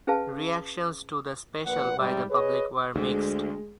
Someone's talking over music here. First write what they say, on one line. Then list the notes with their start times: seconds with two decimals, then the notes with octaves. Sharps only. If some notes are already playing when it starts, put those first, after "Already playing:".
Reactions to the special by the public were mixed.
0.07 C#4 G#4 B4 F5 A5
1.66 A#1 A#2 B4 F#5
1.97 G#2 C3 G3
2.30 G#4 B4 C#5 D#5
2.96 D2 G#3